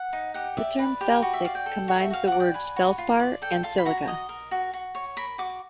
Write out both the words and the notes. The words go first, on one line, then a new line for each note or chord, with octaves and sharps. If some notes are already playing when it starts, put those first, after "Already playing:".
The term "felsic" combines the words "feldspar" and "silica".
Already playing: F#5
D#4
G4 F#5
D5 E5
B4
G4
F#4
E5
D5 F5
G5
A4
F#4
E5
F#4 F5
D5 F#5
G5
B4 G#5
F#4
F4
D5
A4 G5
F4 A5
B5
F#4 A#5
D#5
A#4
F#4
F#4
C#5
A#4 B5
F#4 D6